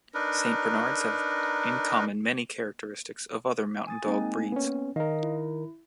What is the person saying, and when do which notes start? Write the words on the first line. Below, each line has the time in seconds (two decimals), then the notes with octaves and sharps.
Saint Bernards have in common many characteristics of other Mountain dog breeds.
0.14 D4 D#4 A#4 B4
3.87 G#5 D#6 A6
4.06 G#3 A#3 C4 D#4 G#5
4.52 B3 C#4
4.96 D#3 A#4 D#5 F5 D#6
5.23 E4